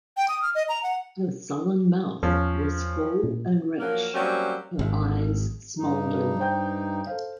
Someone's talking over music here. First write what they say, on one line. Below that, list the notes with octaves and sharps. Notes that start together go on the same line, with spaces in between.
Her sullen mouth was full and rich -- her eyes smoldered.
G5
D#6
F6
D#5
A#5
F#5
E2 F3 C#4
A#2
F3 F#3 A#3
F#3 G3 A#3 C4 C#4
G#1
G2 D#4
F#4 G#4 B4
C5 G5 G6
A4 C5 F5